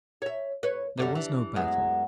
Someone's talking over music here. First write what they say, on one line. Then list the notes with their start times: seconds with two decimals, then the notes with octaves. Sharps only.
There was no battle.
0.22 C#5 E5
0.63 B4 C#5
0.98 F#2 D3 G3
1.15 E3 D4
1.56 F#2 G#3 B3